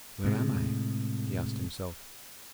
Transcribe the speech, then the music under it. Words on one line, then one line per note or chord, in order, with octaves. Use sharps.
"Where am I?" he asked himself.
A2 C3 G#3